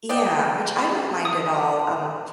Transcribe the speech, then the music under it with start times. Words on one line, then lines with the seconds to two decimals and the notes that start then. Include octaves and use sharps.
Yeah, which I don't mind at all, um,
0.09 D5 D#5 G5
1.25 D#6